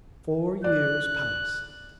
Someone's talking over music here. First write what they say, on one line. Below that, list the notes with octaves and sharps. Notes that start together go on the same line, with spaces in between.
Four years passed.
D5 F#6